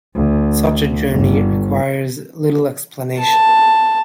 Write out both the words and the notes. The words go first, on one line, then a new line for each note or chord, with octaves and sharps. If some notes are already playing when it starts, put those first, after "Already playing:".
Such a journey requires little explanation.
D2
G1
A5